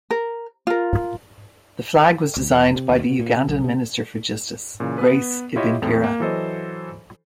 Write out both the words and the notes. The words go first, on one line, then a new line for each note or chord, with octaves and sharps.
The flag was designed by the Ugandan Minister of Justice, Grace Ibingira.
A#4
F4 A#4
D2
E2
F1
C3
D#2
B2
A#2
C3
B1
C3
A#2 C#3 E3
B3 B4
E4 F4 G4 C#5 D#5 E5
E2 A2 C4 A4
A#3
E3 F#3 A4 C5 D#5